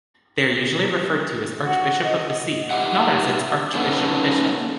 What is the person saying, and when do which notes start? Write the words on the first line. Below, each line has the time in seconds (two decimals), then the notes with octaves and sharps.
They are usually referred to as Archbishop of the see, not as its Archbishop-Bishop.
1.65 F#4
2.03 D#5
2.71 G4 E5 F#5
3.75 A#3 C#4 D#4 A4 B4 F#5